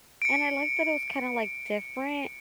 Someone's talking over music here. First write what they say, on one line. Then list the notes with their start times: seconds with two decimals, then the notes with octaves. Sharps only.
and I like that it was kinda, like, different,
0.22 C#7 D7